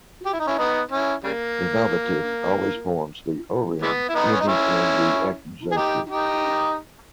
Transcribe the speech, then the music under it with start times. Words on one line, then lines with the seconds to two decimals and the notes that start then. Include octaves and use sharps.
The nominative always forms the "-orem" ending in the accusative.
0.26 G4
0.33 E4
0.40 D#4
0.47 C#4 E4
0.58 B3 D#4
0.91 C#4 E4
1.23 C#3 G3 A#3
3.82 E3 G#3 B3
4.09 E4
4.15 B3 D#4
4.32 C#4
4.40 D#4
4.48 C#4 E4
5.72 G#4
5.76 D#4 G4
6.09 D#4 G4